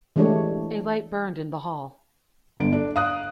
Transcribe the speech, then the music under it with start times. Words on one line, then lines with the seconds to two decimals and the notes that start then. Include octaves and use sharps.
A light burned in the hall.
0.16 E3 G#3 A3 D4 G4 C#5
2.60 G1 D3 D7
2.73 D4 A4
2.96 F5 D#6 F#6